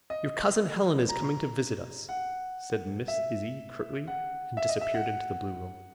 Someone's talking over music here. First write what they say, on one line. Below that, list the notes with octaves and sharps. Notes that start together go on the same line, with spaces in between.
"Your Cousin Helen is coming to visit us," said Miss Izzie, curtly, and disappeared into the Blue-room.
D#5
A#5
F#5
E5
F#5
E5
D#5
E5
F#5